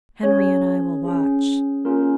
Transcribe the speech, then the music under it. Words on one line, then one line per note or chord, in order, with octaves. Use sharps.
Henri and I will watch.
C#4 G#4 C#5
C#4 G#4
A#3 C#4 F4 G#4 A#4